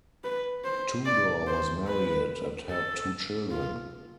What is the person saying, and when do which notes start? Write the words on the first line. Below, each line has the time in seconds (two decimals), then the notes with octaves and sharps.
Tudor was married and had two children.
0.24 B4
0.64 C5
1.06 D5
1.47 C5
1.88 B4
2.70 A4
3.51 F4